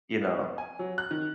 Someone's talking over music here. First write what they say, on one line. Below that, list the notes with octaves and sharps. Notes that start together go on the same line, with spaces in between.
you know?
B3
G#5
F#3
F#6
D#3